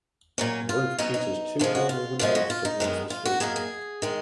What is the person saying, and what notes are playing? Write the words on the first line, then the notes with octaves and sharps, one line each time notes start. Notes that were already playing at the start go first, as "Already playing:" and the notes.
The roof teatures two dormer windows towards the street.
A#2 F#3 C#4
F4
B2 F#3 C#4 D#4
D#4
F2 F3 G#3 F4
F#4
F4
F#2 F3 G#3 B3 F4
F#4
F4
D#4
F#2 D#3 G#3 B3
F4
F#4
F#2 D#3 A#3 G#4
G#4
D#3 G#3